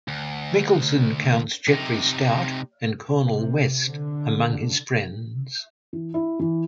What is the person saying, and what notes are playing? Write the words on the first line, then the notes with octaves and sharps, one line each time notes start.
Michalson counts Jeffrey Stout and Cornel West among his friends.
D2
C3 D#4
C3
D3
E3
E4
E3